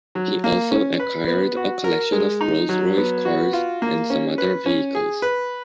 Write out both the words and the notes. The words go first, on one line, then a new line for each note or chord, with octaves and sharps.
He also acquired a collection of Rolls Royce cars and some other vehicles.
F#3
A#3
C#4
B4
B3
F#4
A#4
G#3
D#4
F#3
B3
F#4
F4
A#3
C#4
B4
C#4
G#4
B4